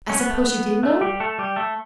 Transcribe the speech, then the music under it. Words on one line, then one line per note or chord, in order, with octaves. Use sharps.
I suppose you did know?
C#4
B3
A3
B3
A3
G3 G4
A3 A4
G3 G4
A3 A4